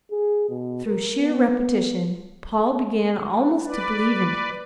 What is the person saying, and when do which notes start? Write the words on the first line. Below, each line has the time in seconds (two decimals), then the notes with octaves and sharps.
Through sheer repetition, Paul began almost to believe in it.
0.11 G#4
0.49 B2
0.86 A#4
1.17 B3
3.66 B4 D5